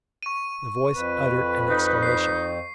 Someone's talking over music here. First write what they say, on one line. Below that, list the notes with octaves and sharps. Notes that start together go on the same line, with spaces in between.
The voice uttered an exclamation.
C#6 D#7
F2 B4
D#4
C7